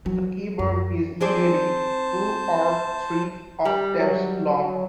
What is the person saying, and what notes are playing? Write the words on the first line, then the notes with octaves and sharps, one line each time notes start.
The keyboard is usually two or three octaves long.
F#3
F#2
C4 G#4 C5 D5 A5
G3
F#3